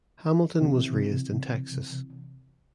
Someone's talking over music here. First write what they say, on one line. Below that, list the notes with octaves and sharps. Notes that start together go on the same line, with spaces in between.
Hamilton was raised in Texas.
C3 E3